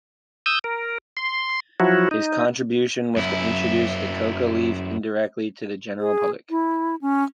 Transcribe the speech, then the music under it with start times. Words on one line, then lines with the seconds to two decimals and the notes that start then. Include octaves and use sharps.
His contribution was to introduce the coca leaf indirectly to the general public.
0.46 D#6 E6 G6
0.64 A#4
1.17 C6
1.80 F3 F#3 E4 F#4
2.11 D#4
3.17 F#2 E4
6.00 G#4
6.50 E4
7.02 C#4